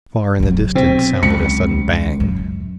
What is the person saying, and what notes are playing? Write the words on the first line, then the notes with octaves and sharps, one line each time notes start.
Far in the distance sounded a sudden bang.
C3 F#3
B2 C4
C#2 C#7
F#2